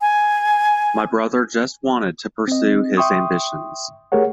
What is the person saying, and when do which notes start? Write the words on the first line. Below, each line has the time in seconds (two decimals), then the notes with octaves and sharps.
My brother just wanted to pursue his ambitions.
0.01 G#5
2.48 C4 D#5
2.97 E5 G5 C6 C#6 D#6
4.12 A3 G4 G#4 A#4 C#5 F#5